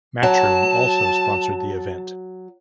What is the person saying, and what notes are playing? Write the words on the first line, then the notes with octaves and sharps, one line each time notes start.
Matchroom also sponsored the event.
F#3 A5